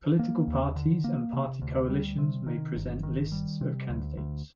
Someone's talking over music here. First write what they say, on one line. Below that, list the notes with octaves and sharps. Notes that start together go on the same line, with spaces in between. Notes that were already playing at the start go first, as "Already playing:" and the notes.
Political parties and party coalitions may present lists of candidates.
A#3
D#2
D3
A#3
C3
D2
G3
C3
D#3
G1
D#3
G3
C3
D2
D2